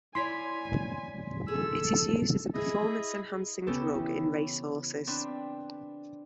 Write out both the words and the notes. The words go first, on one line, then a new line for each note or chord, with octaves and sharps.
It is used as a performance-enhancing drug in race horses.
E4 C#5 D5 G#5 C6 B6
G#4 A4 E6
E4 G#4 D#5
C#3 B3 C#4 G4 A4 B4
E3 E4
C4 D4 B4